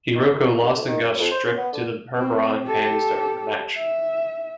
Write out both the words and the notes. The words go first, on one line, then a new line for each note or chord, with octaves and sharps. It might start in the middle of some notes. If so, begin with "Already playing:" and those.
Hiroko lost and got stripped to her bra and panties during the match.
D#3
F#2
C2
G2
D2
D#3
F#2
F2
C5
C#4
B3
D3
C4
G4 A4
E5